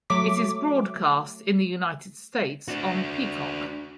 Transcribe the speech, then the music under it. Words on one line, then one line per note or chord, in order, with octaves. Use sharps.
It is broadcast in the United States on Peacock.
F#3 A3 D6 B6
D4 F#4